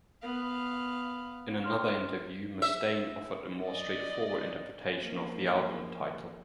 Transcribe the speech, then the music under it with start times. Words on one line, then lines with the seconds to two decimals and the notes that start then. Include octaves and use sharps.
In another interview, Mustaine offered a more straightforward interpretation of the album title.
0.22 B3 F5
1.64 C#5 C6 F6
2.62 E5
3.66 D5 D#5
4.98 F3 A#3